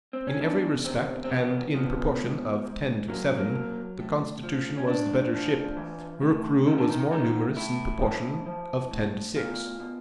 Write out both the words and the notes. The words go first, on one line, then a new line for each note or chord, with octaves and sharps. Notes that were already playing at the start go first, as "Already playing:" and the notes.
In every respect, and in proportion of ten to seven, the Constitution was the better ship; her crew was more numerous in proportion of ten to six.
C4
C#4
E2 D4
C3 C4
C4
E2 B3
F3 B3
G#2
G#2
F#3 A#3
A#3
F#3
A2
F3
C#4
A2 D4
F3
E3
A2
E3 D#4
D4
D#4
A2 D#4
A2 E4
F3
F3
A2
B2 F4
B2